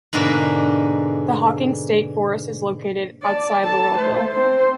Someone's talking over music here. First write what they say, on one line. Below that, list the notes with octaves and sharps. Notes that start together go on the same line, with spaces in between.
The Hocking State Forest is located outside Laurelville.
G#2 B2 D3 A#3 D5
D5 A5
A4 A5
A3 C5
C4 C5